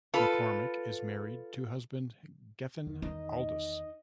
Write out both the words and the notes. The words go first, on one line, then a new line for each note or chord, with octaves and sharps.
McCormick is married to husband Gethin Aldous.
F4 A4 B4
E2 D#3
D#4 D#5